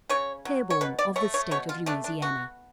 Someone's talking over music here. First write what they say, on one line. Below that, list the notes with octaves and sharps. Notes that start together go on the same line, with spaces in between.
Claiborne of the state of Louisiana.
C#3 C#5
F#3
C#5
B2 B4
D5
A3 C#5
C#5
B2 C#5
F4
A3 D4
D4
B3 F#4